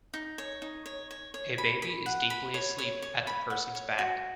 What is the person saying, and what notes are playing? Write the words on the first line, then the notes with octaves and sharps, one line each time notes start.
A baby is deeply asleep at the person 's back.
D#4
C#5
D#4
C#5
C#5
C#5
B5
B5
F#5
B5
C#5
C#5
C#5
B5
F#5
C#5
F#4